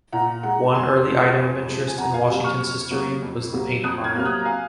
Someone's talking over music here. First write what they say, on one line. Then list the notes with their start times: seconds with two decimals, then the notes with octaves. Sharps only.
One early item of interest in Washington's history was the "paint mine".
0.12 A#2 F#5 A#5
0.43 G#3 F#5 A#5
0.74 F2 G#5 C6
1.05 C3 F3 G#3
1.36 F2
1.67 C3 F3 G#3
1.87 G#5
1.98 F2 F#5 A#5
2.14 F5 G#5
2.29 C3 F#3 A#3
2.44 C#6 F6
2.61 F2
2.91 C3 F#3 A#3
3.23 F2
3.52 C3 F#3 A#3
3.84 F2 D#6 F#6
4.04 F6 G#6
4.14 C3 F#3 A#3 F6
4.25 D#6 F#6
4.39 A#5
4.45 F5 G#5